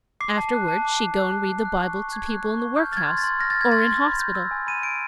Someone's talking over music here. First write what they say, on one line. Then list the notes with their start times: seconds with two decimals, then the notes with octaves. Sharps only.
Afterwards she'd go and read the Bible to people in the workhouse or in hospital.
0.20 D6 C7
0.37 A5
0.53 F#6
0.68 A5
0.85 D6
1.00 A5
1.17 F#6
1.32 A5
1.49 F#6
1.65 F#6
1.80 C#6
1.96 C#6
2.12 F#6 G#6
2.28 F#6
2.45 C#6
2.60 C#6
2.76 F6 G6
2.92 F6 A6
2.97 G#6
3.08 C6
3.18 A6
3.24 C6
3.39 F6 A#6
3.50 F6 A6
3.61 G#6
3.72 C6 A6
3.87 C6
4.04 B5
4.19 G6
4.35 E6
4.51 G#5
4.67 B5 D#7
4.83 G6 D7